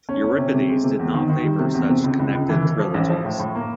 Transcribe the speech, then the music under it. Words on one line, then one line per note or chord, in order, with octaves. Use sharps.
Euripides did not favor such connected trilogies.
C#4
C#4
C3
C3
G#3
C3
E2
D#3
D#3
G3
C3
E2
C3
C#2
C#2
C#2
E3
E3
F3
A1
F3
A2
A2
A#3